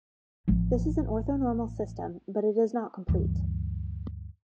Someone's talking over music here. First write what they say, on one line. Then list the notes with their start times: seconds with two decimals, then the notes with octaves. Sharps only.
This is an orthonormal system but it is not complete.
0.48 A1 F3
3.09 D2 G2 E3 G3